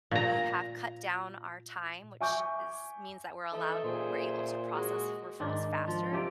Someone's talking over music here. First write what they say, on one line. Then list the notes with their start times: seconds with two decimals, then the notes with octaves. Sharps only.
we have cut down our time, which is means that we're allowed we're able to process referrals faster
0.11 A#2 A#5
2.20 E5 G#5 C#6 D6 G6
3.53 E3 D#4 A4 E5
3.84 A#2 G#4 C5 E5
4.73 G#3 F#4
5.40 G#2 D#3 D4
5.87 F3 F4
6.13 C3 G4 A#4